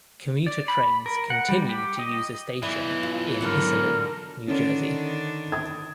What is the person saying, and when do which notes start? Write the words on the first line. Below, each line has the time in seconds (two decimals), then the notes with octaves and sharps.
Commuter trains continued to use a station in Iselin, New Jersey.
0.46 D5
0.68 B5
1.06 A#4
1.30 F#5
1.49 G3
1.69 G4
1.99 D#5
2.63 B1 E3 E4 D5
3.03 F4
3.41 G#2 D3 F#3 A#4
4.48 D3 D#3 C#4 D4
5.52 D#6 G#6